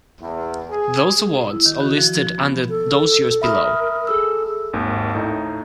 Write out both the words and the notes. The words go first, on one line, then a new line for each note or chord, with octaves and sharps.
Those awards are listed under those years below.
E2
G#4
E4
D#3
F#4
F3
F3
B3
A4
A#4 E5 B5 D#6
G#4 A4 E6
G#1 D#2
A2 D#4